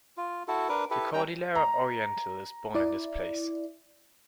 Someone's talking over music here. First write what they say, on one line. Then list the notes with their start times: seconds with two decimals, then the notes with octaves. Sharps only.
The Cordillera Oriental is born in this place.
0.17 F4
0.48 E4 F#4 A4
0.69 D4 A#4 B4
0.91 E4 G4 A4 B4
1.14 G3 C#4 G5 A#5
1.55 A#5
2.75 E4 D5